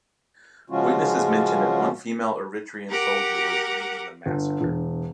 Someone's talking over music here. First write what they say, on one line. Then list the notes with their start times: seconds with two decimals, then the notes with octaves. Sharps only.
Witnesses mention that one female Eritrean soldier was leading the massacre.
0.70 C#3 F3 G#3 C#4 F4 F#4
2.89 G4 A#4 F#5 A#5 D6
4.26 G1
4.61 E1